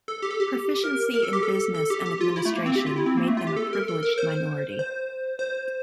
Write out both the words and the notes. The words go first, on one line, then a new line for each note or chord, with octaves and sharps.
Proficiency in business and administration made them a privileged minority.
A4
G4
A4
G4
A#4
A#4
A4
G4
A4
A4
G4
G4
F4
E4
A3
A#3
C4
G4
F4
E4
C4
A#3
A3
F4
G4
A4
A#4
A4
A#4
C5
C5
C5